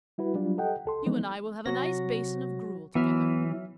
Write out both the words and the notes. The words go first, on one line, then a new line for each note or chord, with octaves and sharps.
You and I will have a nice basin of gruel together.
G3 E4 F#4 B4
F#3 G3 D4 F4
G4 A4 D#5 F#5 G5
C#2 A4 C6
E3 F3 G#3 B3 C4 D#4
C3 F#3 F#4 A#6
E3 F#3 B3 E5 F6